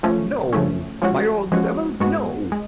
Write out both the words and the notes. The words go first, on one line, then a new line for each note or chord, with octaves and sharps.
"No! By all the devils, no!"
C#3 F3 A3 C#4
C#3 F3 A3 C#4
F3 G#3 C#4 F#4
F3 G#3 C#4 F#4
G#2 G#3 B3 F#4
G#3